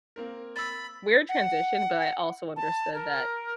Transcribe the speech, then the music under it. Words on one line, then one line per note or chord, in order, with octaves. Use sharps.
weird transition, but I also understood that
A#3 C4 A#4
B5 E6 A6
F#5
A5
A#4